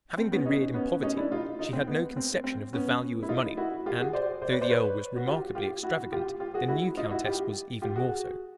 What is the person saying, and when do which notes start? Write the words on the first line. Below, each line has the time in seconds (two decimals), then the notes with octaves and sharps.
Having been reared in poverty, she had no conception of the value of money; and, though the earl was remarkably extravagant, the new countess was even more so.
0.17 C4
0.32 B3 C#4
0.46 C#4 D#4
0.74 B3 C#4
1.03 C#4 D#4
1.17 D4 E4
1.32 D#4 F4
1.59 D#4 F4
1.73 C4
1.87 B3
2.17 C4
2.44 C4
2.73 B3 C#4
3.23 E4
3.29 D#4 F4
3.57 E4 F#4
3.86 F4 G4
3.99 F#4 G#4
4.13 C5 D5
4.42 C5 D5
4.51 B4 C#5
4.61 C5 D5
4.70 B4 C#5
5.16 F#4
5.26 F4 G4
5.55 F4 G4
5.83 E4 F#4
6.12 F4 G4
6.40 F4 G4
6.54 F#4 G#4
6.68 E4 F#4
6.97 D#4 F4
7.11 E4 F#4
7.25 F4 G4
7.82 F4 G4
7.96 F#4 G#4